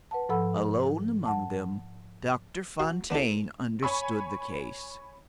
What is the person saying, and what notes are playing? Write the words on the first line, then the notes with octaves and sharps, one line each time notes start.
Alone among them Doctor Fontaine understood the case.
B4 F#5 A5
G#2 F3 A4 F#5 B5 E6
F#5 A5
F#4 F5
B3 D4 E4 A4
C#5 G#5 B5 C#6